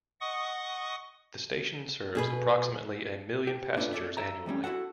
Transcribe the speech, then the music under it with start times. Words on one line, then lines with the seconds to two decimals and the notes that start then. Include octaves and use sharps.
The station serves approximately a million passengers annually.
0.20 D#5 F#5 C#6 D#6
2.15 B2 G#4 B4
3.47 G4
3.77 A#3 D4 F4 A4 B4
3.93 G#4 A4 B4 C#5 D5 E5
4.17 E5 A#5
4.46 E2 A2 G3 C#4
4.64 E4 F#4 G#4 A4 F#5